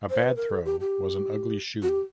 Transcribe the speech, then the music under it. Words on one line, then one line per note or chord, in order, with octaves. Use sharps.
A bad throw was an "Ugly Shoe".
C5
B4
A#4
A4
G4
G4
F#4
G4